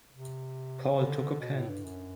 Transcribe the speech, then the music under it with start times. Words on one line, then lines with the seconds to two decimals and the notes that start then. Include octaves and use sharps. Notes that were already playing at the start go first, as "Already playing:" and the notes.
Paul took a pen.
0.13 C3
0.98 D3
1.41 B2
1.56 A2
1.69 G2
1.84 F#2